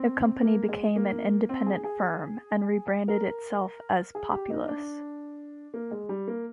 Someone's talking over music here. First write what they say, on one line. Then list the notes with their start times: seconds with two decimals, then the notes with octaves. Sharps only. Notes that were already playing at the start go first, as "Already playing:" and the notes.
The company became an independent firm, and rebranded itself as Populous.
Already playing: C4
0.43 A#3
0.68 G#3
0.96 A#3
1.49 C4
1.66 G#4
1.84 G#4
3.08 A#4
4.15 G#4
4.32 G4
4.50 D#4
4.68 D4
5.74 A#3
5.91 G#3
6.09 G3
6.28 A#3